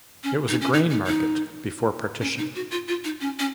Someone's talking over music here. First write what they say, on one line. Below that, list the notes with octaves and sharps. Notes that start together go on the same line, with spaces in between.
It was a grain market before partition.
C#4
D#4
C#4
D#4
D#4
D#4
C#4
D#4
F#4
F4
F4
D#4
C#4
C#4